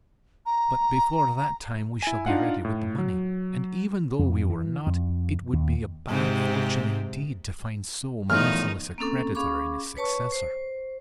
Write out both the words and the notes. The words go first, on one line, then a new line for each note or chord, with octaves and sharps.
But before that time we shall be ready with the money; and even though we were not, it would be a bad fortune indeed to find so merciless a creditor in his successor.
A#5
E4 G#5
D4 D#4 F4 F5 F#5
A2
F#3
F2
E3
F2
D#2
G#2 C3 C4
E2 A2 D#3 F3 D#4 F6
A#3 C4 C#4 A4
C#4 G#4 F5 B5 C#6 D6
B4 C#5 A5 C#6
C5